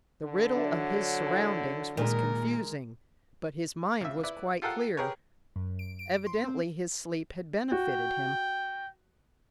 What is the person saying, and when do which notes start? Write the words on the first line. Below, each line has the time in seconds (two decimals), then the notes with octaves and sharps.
The riddle of his surroundings was confusing but his mind was quite clear--evidently his sleep had benefited him.
0.24 D3
0.56 F#3 D4 E5
1.26 E4 A4
1.97 A#2 D#3 G#3 A#4
4.01 C#2 E5
4.23 E4 B4 D5
4.62 F4 G4 A4 A#4 F5 F#5
4.97 G4 G#4 A#4 B4 C#5
5.56 F#2
5.79 D7
5.99 D7
6.26 C6
6.44 C4
7.72 F#4 G5